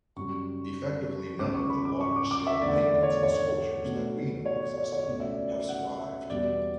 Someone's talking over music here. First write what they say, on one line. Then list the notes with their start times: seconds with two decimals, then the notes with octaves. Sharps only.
Effectively none of the large-scale paintings and sculptures that we know existed have survived.
0.16 F#2 C#3 G3 C#6
1.39 C#2 C#3 G3 B3 D6
1.54 C#6
1.70 B5
1.85 D6
2.01 C#6
2.16 D6
2.31 D6
2.47 E5
2.62 E2 D3 A3 D5
2.82 D5
3.03 C#5
3.23 C#5
3.85 B2 A3
4.46 C#5
4.62 D5
4.77 C#5
4.92 C#5
5.07 C#2 B2 A3 D5
5.20 E5
5.33 D5
5.69 F#5
5.99 E5
6.30 E2 B2 G3 B3 D5